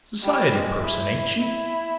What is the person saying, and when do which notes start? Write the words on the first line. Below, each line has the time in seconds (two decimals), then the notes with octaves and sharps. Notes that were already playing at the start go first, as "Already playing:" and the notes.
"Society person, ain't she?"
0.23 G3
0.52 G#3
0.81 E4
1.39 E4